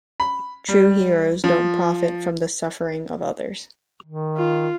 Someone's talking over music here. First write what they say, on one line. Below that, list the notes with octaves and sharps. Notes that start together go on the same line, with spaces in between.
True heroes don't profit from the suffering of others.
B5
G3
F3
D#3
F4